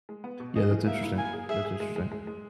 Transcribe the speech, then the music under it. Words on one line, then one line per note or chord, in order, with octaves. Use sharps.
Yeah, that's interesting. That's interesting.
G#3
B3
B2
G#4 D#5
E3
A#3 E5
E4
A#3 G#5
G#4
G#4 E5
G#4
G#3
G#3
G#3
G#3